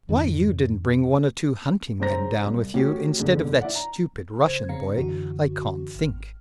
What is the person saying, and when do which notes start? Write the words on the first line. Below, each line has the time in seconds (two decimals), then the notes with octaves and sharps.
"Why you didn't bring one or two hunting men down with you, instead of that stupid Russian boy, I can't think."
0.09 F2 G#2 D#3
2.00 G#2 C#3 C4 C5 A#5 A#6
2.45 C2
2.74 A2 C#4 F#4 G4
3.18 F#1 E2 G#2 D3
3.61 E4 D5 F#5
3.75 A#5
4.45 C#3 C5 G#6
4.69 C#3 C4 C#4 F5 A#5 C#7
4.97 F#2 D3 E3 F#4
5.96 G#1 F6